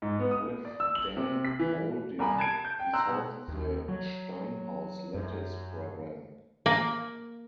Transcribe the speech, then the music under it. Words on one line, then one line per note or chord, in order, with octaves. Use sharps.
With Dan Mauldin he solved the Steinhaus lattice problem.
G#2
B3
D#6
D5
E6
F#7
C3
B6
E3
C2 A#4 G#5 B5
A5 G#6 D7
G6
G5
A#5 C6 E6 F#6
B2
D#2
F#3
F#2
A#3